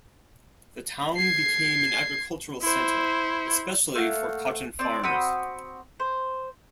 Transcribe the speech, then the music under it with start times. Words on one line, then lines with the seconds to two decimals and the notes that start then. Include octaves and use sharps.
The town became an agricultural center, especially for cotton farmers.
1.16 G#6 C7
2.62 E4 C5
3.95 A3 A#3 F#5
4.79 C4 D5
5.03 C4 F#4 B5 D#6
6.00 C5